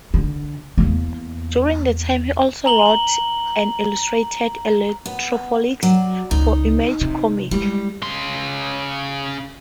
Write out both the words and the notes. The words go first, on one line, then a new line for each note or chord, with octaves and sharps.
During that time he also wrote and illustrated "Electropolis" for Image Comics.
D3
E2 A#3
A#5 F#7 G7
B3
F#3 D5
C#2 C#3 D#4
C3
G3 G#3 E4
C#3 C6